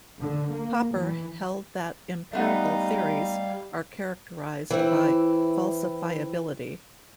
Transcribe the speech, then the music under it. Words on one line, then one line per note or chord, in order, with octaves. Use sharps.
Popper held that empirical theories are characterized by falsifiability.
D3
A#3
E3
G3 A3 B3 D#4 F5 F#5
E3 C4 E4